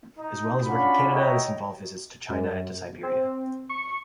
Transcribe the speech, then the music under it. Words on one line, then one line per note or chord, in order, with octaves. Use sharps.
As well as work in Canada this involved visits to China and to Siberia.
D#4
C#4 D4 F4 F#5 B5
C#5 D#5 E5 G5 A#5
F#2
C4
C#6